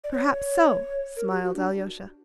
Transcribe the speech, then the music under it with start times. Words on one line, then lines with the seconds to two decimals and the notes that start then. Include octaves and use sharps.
"Perhaps so," smiled Alyosha.
0.04 D5
0.12 C#5
1.17 A#4
1.30 G4
1.43 F#4
1.56 D4